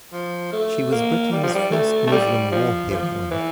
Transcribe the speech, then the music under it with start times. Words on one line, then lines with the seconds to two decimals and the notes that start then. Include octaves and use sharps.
She was Britain's first Muslim war heroine.
0.13 F3
0.53 A3
0.92 A#3
1.32 G3
1.43 F3
1.54 G3
1.71 A3
2.07 A3
2.11 G3
2.52 F3
2.91 F3
3.31 E3